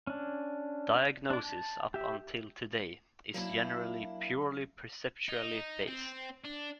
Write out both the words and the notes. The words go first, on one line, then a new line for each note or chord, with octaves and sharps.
Diagnosis, up until today, is generally purely perceptually based.
C#4 D4
D4 D5
A5
G4 E5
F#3 A#3 D4 E4
D#4
C4
D4